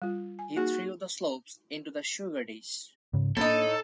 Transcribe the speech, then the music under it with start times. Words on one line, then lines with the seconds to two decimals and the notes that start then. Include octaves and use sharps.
He threw the slops into the sugar-dish.
0.02 G3 F4
0.39 G#5
0.56 A#3 D#4 F#4 G#4
3.13 G#2 C#3
3.37 A2 A#3 B3 D4 D#4 A4